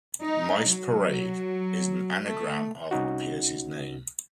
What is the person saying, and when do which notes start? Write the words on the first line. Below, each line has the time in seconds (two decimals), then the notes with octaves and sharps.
"Mice Parade" is an anagram of Pierce's name.
0.22 D#4
0.68 F#3
2.25 A3
2.91 C2 C#4 D#4 F#4